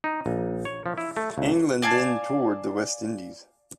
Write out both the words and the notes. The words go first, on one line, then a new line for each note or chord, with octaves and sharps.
England then toured the West Indies.
D#4
A#1
C#5
F3
E4
A3
C#2
D5 F5 G#5 A5